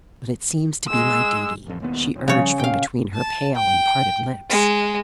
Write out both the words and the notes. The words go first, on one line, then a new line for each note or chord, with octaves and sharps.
"But it seems to be my duty," she urged from between her pale and parted lips.
G#3 E6
A1 F2
E1 D#2 B3
D#1
C#3 F3 G3 C#5
A#2 F5 G5
A5
G5
G#3